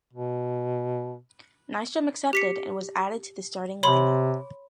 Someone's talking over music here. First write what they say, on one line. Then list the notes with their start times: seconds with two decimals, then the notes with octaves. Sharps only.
Nystrom accepted, and was added to the starting lineup.
0.13 B2
2.33 G4 B6 C#7
3.83 C3 C#5 B5 C6